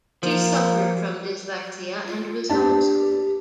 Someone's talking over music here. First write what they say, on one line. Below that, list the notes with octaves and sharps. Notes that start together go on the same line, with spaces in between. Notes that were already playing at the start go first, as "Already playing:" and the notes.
She suffered from dyslexia and was home-schooled.
F3 A#3 F4 C5
G3
F4
D4 G4 A5